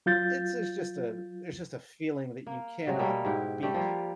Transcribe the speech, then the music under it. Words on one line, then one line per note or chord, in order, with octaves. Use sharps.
It's a it's just a it's just a feeling that you cannot beat
F#3 F4 G6 A6
A#3
C3 F#3 G#3
B2 G3 A3 A#3
G#2 B2 E4 G4
G3 A3 G4
F3 G3 A#3